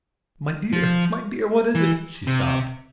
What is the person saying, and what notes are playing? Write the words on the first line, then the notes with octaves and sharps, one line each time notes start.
"My dear, my dear, what is it?" she sobbed.
F3
E3
C3